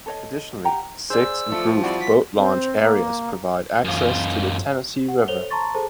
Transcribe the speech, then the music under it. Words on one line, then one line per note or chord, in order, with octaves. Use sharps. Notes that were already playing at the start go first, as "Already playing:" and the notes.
Additionally, six improved boat launch areas provide access to the Tennessee River.
A4 C#5 D#5
G4 F#5 G5 A#5
G#4 C5 D5 E6
F3 A3
G3 C4 E4 F#4 D5
G3 B6
C4
A#3
F#2 F4
F#5
A4 C5 C#5 F7 G7
A5 A#5 C6 C#6 A6
G#4 A4 C5 A5